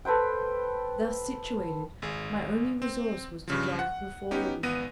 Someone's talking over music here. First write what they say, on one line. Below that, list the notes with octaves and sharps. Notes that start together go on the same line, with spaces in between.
Thus situated, my only resource was to drive before the wind.
A4 B4 C5 G5
G#1 G#4
C4
G2 C#3 F3
F#5
B3 C#4 D#4 G4
G#1 B3 A#6 D#7